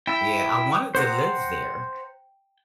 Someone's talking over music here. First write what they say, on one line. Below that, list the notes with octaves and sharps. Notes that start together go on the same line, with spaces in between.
Yeah, I wanted to live there,
E4 E5 G5
C5 F#5 A#5